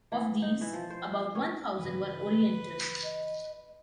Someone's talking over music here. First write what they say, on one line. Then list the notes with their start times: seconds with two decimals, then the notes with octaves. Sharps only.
Of these, about one thousand were Oriental.
0.12 E3
0.42 D#4
0.61 E3
0.73 F3
0.90 C5
1.35 C#4
1.79 G2 C#3 E3 B4
3.04 D#5